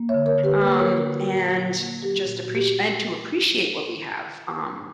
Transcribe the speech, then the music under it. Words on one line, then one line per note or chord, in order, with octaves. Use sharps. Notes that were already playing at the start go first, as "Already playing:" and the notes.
um, and d just apprec and to appreciate what we have, um.
Already playing: A#3
C#5 E5
D3
A#4 C#5
D3
G4 B4
A#3 G4 B4
A#4 C#5
A#3
F#4 A#4
D3
F#4
A#2
A#2
A#3
F#3 G4
F#4
A#2
F#4
A#2
G4